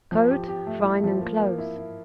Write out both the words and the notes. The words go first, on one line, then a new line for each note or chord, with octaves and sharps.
COAT--Fine and close.
F3
G4
G4
A3
E4
F3
A#3
A#3
E4
E4